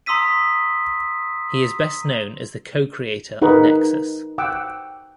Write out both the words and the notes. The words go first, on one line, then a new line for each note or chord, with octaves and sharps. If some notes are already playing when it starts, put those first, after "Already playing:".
He is best known as the co-creator of "Nexus".
A#5 C6 D#6 E6 B6 D#7
D#4 G#4 A#4 B4 F#5
F#5 G5 D6 E6